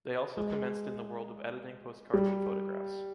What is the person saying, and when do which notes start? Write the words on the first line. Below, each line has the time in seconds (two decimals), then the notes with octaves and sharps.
They also commenced in the world of editing postcards and photographs.
0.37 G#3
2.14 G3